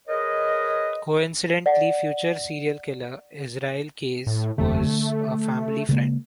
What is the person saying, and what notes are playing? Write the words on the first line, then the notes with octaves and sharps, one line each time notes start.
Coincidently, future serial killer Israel Keyes was a family friend.
G#4 A#4 B4 C#5 D#5
D5 F#5
A2
F#1 E2 D3 A3
D3
C#3 G#3 A#3